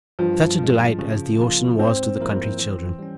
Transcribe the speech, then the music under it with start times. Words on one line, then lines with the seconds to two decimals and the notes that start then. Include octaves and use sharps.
Such a delight as the ocean was to the country children!
0.19 G2 F3
0.59 F3 G#3
0.99 C#3
1.39 F3 A#3 F4
1.79 G#2 C4
2.20 F3 A#3 E4 A#4
2.59 E3
2.99 G3 C#4